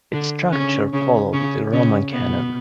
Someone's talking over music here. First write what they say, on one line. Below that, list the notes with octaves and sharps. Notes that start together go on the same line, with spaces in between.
Its structure follows the Roman Canon.
D3 D4
C#3 C#4
C#3 C#4
C#3 C#4
C#3 C#4
B2 B3